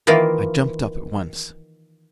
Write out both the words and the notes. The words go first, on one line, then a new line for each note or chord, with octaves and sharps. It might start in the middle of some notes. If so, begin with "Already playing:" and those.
I jumped! up at once.
D#3 E3 A#3 F4